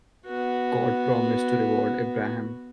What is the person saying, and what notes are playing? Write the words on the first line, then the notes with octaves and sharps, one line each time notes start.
God promised to reward Abraham.
B3 F#4